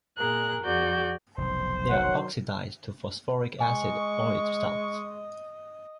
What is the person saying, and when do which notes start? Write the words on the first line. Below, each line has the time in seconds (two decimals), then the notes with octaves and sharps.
They are oxidized to phosphoric acid or its salts.
0.17 A#2 G#4 A#4 F#6
0.62 F2 F#4 G#4 D5 G6
1.38 F1 B1 C5
1.90 D#3 F#3 C#5 F#5
3.61 G#3 D#5 G#5 C#6